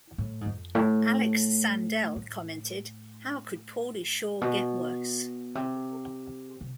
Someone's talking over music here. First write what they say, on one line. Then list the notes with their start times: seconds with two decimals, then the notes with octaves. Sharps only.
Alex Sandell commented How could Pauly Shore get worse?!?
0.18 A2
0.41 G#2
0.46 F2
0.75 A2
2.16 A2
4.41 B2
5.55 C3
6.61 C3